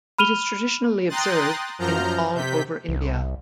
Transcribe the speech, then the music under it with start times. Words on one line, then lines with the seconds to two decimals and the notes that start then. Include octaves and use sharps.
It is traditionally observed in all over India.
0.18 B5 F6 D#7 F7 G7
1.09 G5 A#5 C6 D#6 F#6 A6
1.78 F#2 F3 A#5 F6 G6
2.33 C3 G6 B6
2.89 C2